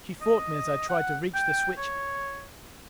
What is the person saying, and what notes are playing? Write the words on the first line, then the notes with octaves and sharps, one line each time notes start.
She fought me as I tried to reach the switch.
D#5
F#5
G5
C#5